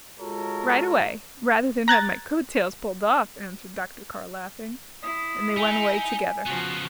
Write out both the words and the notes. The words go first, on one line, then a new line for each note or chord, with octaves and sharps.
"Right away--rather than have my coat-tails pulled off," answered Dr. Carr, laughing, and they went away together.
G#3 F4 F#4 A4 A#4 C#5
A#5 F#6 G#6 A6
E4 D#6
D#4 G#5
C#3 F3 B3 F#4